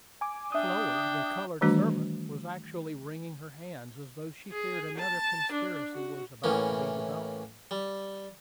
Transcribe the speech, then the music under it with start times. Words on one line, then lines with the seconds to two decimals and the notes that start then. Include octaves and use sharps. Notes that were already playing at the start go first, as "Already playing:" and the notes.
Chloe, the colored servant, was actually wringing her hands, as though she feared another conspiracy was about to be developed.
0.21 G#5 D6
0.52 D4 E5 G5 D#6
1.61 D#3 E3 G3 A3 D4 F#4
4.52 G#4
4.98 A5
5.52 D4
5.93 F#4
6.44 A2 E3 A#3 C#4
7.71 G3